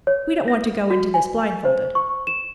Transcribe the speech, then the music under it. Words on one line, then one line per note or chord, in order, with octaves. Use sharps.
"We don't want to go into this blindfolded."
C#5
A#6
F#4
G#5
C5
C#6
E7